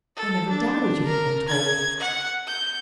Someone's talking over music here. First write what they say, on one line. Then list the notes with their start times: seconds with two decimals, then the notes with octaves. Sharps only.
I never doubted you had been told.
0.16 A4
0.50 D4
1.04 A#4
1.48 G#6
2.00 F#5
2.47 G6